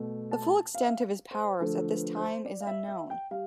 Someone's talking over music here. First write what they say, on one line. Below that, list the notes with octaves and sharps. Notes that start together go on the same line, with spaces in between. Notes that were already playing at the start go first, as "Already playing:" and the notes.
The full extent of his powers at this time is unknown.
Already playing: B2 A3
A5
F5
E5
F5
C5
D3 F3 A3 A4
B4
C5
D5
F5
E5
E5
G5
G3 F5